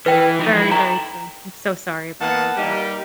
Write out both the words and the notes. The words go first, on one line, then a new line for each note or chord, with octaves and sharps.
Very, very true. I'm so sorry about all of that.
E3 B4 G5
F3 D#4
E4
A4 G5 A#5
A#3 B3 B4 F#5 A5
G3 A#3 D#4 G4